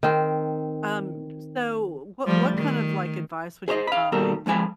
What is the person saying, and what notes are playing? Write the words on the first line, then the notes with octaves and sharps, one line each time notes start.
Um, so, what what kind of, like, advice would you find
D#3 C4
F3 G3 A3
D#3
G#4 C5 C#5 D#5
F5 B5
D#2 B2 G3 A4 A#4
F2 F3 G#3 G#5 B5